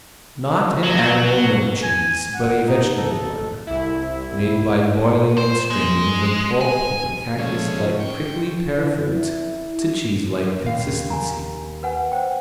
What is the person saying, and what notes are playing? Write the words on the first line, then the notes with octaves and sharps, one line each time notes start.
Not an animal milk cheese, but a vegetable one, made by boiling and straining the pulp of the cactuslike prickly pear fruit to cheeselike consistency.
F#3
G#5
F#5
D#4
A4
C2 E4
C5
G#3
G#5
C#3 F3 G#3 A3 C#4
G5 C#6
E3
E4
D#2 F5
G#5 A#5
B4 F#5 G#5
C5 G5